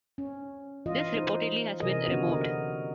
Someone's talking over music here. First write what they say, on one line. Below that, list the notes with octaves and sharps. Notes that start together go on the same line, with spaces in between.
This reportedly has been removed.
C#4
E3 F4 D#5
D#4 C5
C3 E3 G#4 A#4 D#5
D3 B3 C#4 F#4
A#4 D#5